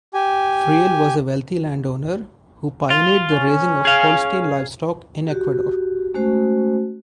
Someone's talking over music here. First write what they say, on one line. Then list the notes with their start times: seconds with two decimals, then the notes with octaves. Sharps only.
Freile was a wealthy landowner who pioneered the raising of Holstein livestock in Ecuador.
0.14 G4 G#5
2.90 F4
3.31 C#4
3.85 G#4 F5
5.28 F#4 G4
6.14 G#3 A3 C#4 F#4 C5